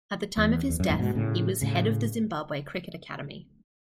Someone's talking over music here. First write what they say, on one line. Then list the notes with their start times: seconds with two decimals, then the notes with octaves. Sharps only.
At the time of his death, he was head of the Zimbabwe Cricket Academy.
0.38 E2
0.69 E2
0.80 F#2
0.89 E2 G#2
0.99 G#2 B2
1.15 A2 C#3
1.61 A2 C#3